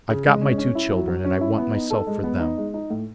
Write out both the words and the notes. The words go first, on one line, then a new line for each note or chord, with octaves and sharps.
I've got my two children and I want myself for them.
C#3
G#3
C#4
C#4
E4
F#3
F#3
C#4
E4
B3
D#4
A4
G#3
B3
D#4
G#3
D#4
A2